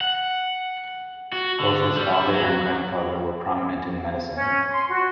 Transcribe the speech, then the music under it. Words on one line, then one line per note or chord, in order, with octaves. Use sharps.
Both his father and grandfather were prominent in medicine.
F#5
F#4
D3
G3
E4
F#3
C#4
C6
F#4